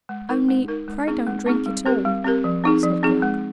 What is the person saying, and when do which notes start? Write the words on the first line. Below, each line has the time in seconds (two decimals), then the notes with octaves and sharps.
"Only pray don't drink it all," said Gluck.
0.09 G#3
0.29 D#4 A#4
0.49 G#3
0.68 D#4 A#4
0.88 G#3
1.07 C4 D#4 G#4
1.27 G#3
1.46 C4 D#4 G#4
1.66 G3
1.85 C4 G4 A#4
2.05 G3
2.25 C4 G4 A#4
2.44 F3
2.64 C4 D#4 G#4
2.83 F3
3.03 C4 D#4 G#4
3.22 G#3